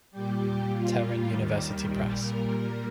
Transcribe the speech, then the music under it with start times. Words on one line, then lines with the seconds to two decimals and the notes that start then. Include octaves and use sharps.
Tehran University Press.
0.11 A#2 G3 G4
0.72 A#2 G3 F4
1.30 D#2 D#3 G3
1.89 A#2 G3 G4
2.19 A#4